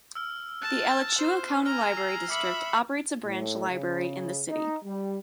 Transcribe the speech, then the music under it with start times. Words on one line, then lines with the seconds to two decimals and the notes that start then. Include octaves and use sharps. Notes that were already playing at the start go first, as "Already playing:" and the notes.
The Alachua County Library District operates a branch library in the city.
0.15 E6 F6
0.62 A5 F#6 E7
1.19 C5
1.66 G#5 A#5 F6
1.97 E6 C7
2.30 E5 B5 D6 C#7 F#7
3.24 A2
3.69 C#3
4.48 D#4
4.84 G3